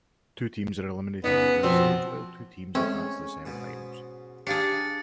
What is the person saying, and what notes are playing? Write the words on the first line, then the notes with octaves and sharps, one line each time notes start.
Two teams are eliminated at this stage, while two teams advance to the semi-finals.
C#3 B3 D#4
B2 F3 C4
G#3 A3 C4 C#4
G#2 B2
D4 G4 G#4 F5 A#5 A6 C#7